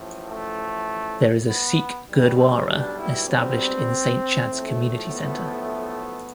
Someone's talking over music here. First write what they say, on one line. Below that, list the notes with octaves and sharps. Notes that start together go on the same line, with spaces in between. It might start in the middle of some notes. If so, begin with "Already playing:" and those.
There is a Sikh Gurdwara established in Saint Chad's Community Centre.
Already playing: A1 A2 F3
A3
B3
B1 B2 G3
C4
D4
E4
C4
B1 A2 F3 A3
B3